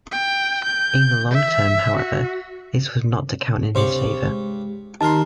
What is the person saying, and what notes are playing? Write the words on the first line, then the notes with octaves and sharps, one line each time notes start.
In the long term, however, this was not to count in his favour.
G5
G6
E5
F#4
C#2 G2 C3 C5 C#5 D6
G#3
D#2 D#4 A#4 A5 C6